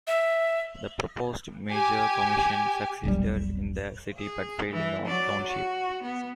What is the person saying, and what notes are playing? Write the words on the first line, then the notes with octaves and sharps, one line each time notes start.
The proposed merger commission succeeded in the city but failed in the township.
E5
G4 G#5
E1 A#1 F#3 G3
G#4
E3
F#3 D5
F#4
B3